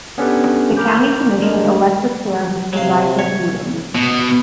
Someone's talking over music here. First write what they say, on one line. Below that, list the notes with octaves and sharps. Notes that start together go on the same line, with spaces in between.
The county commission elects a chair who presides at meetings.
B3 C#4 D4 G4 A4 B4
A#4 B5 D6 G6
G#3 A3 D4 A#4
C3 F#3 F5
C#5
B2